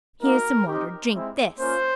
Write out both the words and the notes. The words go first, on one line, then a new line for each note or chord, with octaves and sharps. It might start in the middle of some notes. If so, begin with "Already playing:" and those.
"Here's some water, drink this!"
A#3 D#4 F#4 A#4
C4 D#4 G4
G#3 C4 E4
A#3 C#4 F4 C5